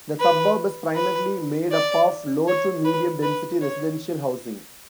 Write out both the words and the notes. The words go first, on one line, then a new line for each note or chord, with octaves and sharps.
The suburb is primarily made up of low to medium density residential housing.
B4
B4
D5
C#5
B4
B4
C#5